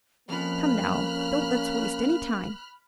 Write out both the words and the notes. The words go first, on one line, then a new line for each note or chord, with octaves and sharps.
Come now, don't let's waste any time.
F2 F3 A#3 C#4 B5 F6 F#6